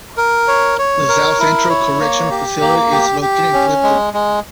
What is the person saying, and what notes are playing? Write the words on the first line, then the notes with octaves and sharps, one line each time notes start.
The South Central Correctional Facility is located in Clifton.
A#4
C#5
C#5
A#4
E4
C#5
A#3
G4
A#3
G4
G4
C#4
G#3
G#3